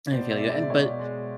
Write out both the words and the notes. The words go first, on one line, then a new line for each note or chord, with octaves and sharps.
I feel you, and but,
B2 C5 D5
D5 E5
G#3
D5 E5
B2 C#5 D#5
G#3